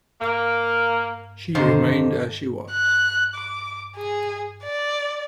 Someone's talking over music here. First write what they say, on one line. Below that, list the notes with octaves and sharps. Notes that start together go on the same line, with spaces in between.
She remained as she was.
A#3
F2 D3 D#3 C5
F#6
D6
G#4
D5